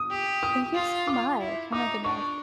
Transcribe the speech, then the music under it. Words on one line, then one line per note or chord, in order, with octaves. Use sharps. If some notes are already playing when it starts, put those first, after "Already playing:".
Thank you so much. Oh my goodness.
Already playing: D#6
G4
D#6
F4
D6
E4
D#4 D6
D4 C#6